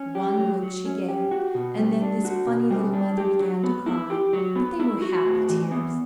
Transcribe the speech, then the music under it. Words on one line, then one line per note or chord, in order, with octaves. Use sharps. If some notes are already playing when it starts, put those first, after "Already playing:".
One look she gave, and then this funny little mother began to cry; but they were happy tears.
Already playing: C#4
G4
F#3
F#3
C#4
G4
F#4
B2
G3
D4
F#4
B2
G3
D4
G4
F#3
B3
E4
G4
F#3
B3
E4
F#4
A2
E3
B3